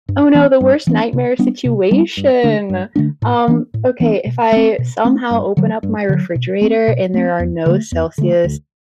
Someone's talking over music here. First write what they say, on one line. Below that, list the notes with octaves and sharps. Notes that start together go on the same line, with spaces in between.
Oh, no, the worst nightmare situation. Um, okay, if I somehow open up my refrigerator and there are no Celsius
G2
E3 B3 D4
G2
E3 B3 D4
C3
G3 B3 D4
C3
G3 B3 D4
G2
D3 A3 D4
G2
D3 A3 D4
A2
E3 B3 D4
A2
E3 B3 D4
B2
A3 C4
B2
A3 C4
G2
D3 F#3
G2
D3 F#3
B2
A3 C4
B2
A3 C4
E2
D3 A3
E2
D3 A3
D2